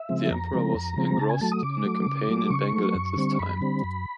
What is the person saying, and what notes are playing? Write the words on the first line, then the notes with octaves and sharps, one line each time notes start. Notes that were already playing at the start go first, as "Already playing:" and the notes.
The Emperor was engrossed in a campaign in Bengal at this time.
Already playing: E5
C#3 F3 G#3 C4
F2 A#5
C#3 F3 G#3 C4
F2
C#3 F3 G#3 C4
C#3 A5
G#5
F#3 A3 A5
D#6
C#3 D6
F#3 A3
C#3
F#3 A3
C#3 C#6
A3
F#3
F#2
D3 G3 C4
F#2 B5
D3 G3 C4
F#2